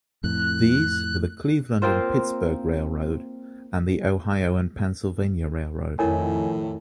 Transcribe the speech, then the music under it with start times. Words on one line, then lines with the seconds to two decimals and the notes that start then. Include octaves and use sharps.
These were the Cleveland and Pittsburgh Railroad and the Ohio and Pennsylvania Railroad.
0.24 F2 A2 F#6
1.82 A#3 C4 F4 C5
5.99 F2 A2 D#3 E4 A#4 C#5 G#5